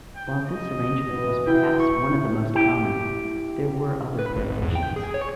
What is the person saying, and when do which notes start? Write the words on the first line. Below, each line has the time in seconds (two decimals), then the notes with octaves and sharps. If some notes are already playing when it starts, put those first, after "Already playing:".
While this arrangement was perhaps one of the most common, there were other variations.
0.16 G5
0.47 D#5
1.10 E3 F#4 B4
1.47 E4 G5
1.80 C#6
2.55 E4 G4
4.19 B4
4.36 G#1
4.62 E2
4.75 G5
4.96 G#4
5.14 C#5